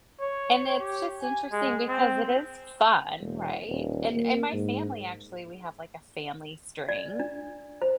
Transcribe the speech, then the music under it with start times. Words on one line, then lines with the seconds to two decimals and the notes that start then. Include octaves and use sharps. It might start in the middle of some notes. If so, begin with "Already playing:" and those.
and it's just interesting because it is fun, right? And and my family actually we have, like, a family string,
0.21 C#5
0.80 G4
1.22 G#5
1.52 G#3
1.88 C4
3.20 E1
3.68 D#1
4.10 A#3
4.53 G#2
6.89 D5
7.20 D4
7.82 C5